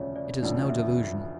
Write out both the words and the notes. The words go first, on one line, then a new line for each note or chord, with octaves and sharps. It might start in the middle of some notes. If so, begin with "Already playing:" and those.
It is no delusion.
Already playing: E1 D2 C#3 F3 C#5 D5 E5
D5
E1 D2 C#3 F3 D5
E5